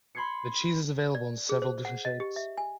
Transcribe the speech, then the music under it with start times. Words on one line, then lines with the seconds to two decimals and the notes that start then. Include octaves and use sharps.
The cheese is available in several different shapes.
0.15 B5 C6 G#6 C7 C#7
1.15 D5
1.49 G#4
1.62 C5
1.85 F#5
2.05 D#5
2.20 G4
2.36 E5
2.58 G#5